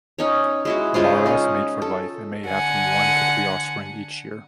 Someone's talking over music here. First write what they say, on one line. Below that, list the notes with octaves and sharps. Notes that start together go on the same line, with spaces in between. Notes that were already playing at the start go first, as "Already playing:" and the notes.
Maras mate for life, and may have from one to three offspring each year.
C#4 D#4 C#5
G#3 E4 F#4
C#3 G#3 F4 C5
C#4 D#4
A4
D3 F#5 G#5